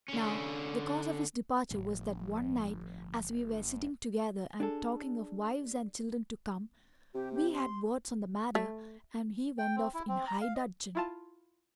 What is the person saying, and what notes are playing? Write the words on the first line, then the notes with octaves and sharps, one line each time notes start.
Now the cause of his departure was that one night, as we were sitting together and talking of wives and children to come, we had words on the matter and he went off in high dudgeon.
D3 C#4
G1 A2 F3
D4 G#4 A4
C3 G4
G4
C6
A3
G5
C4
E4
C4
A#5
F5
D#5
E4 F4 A5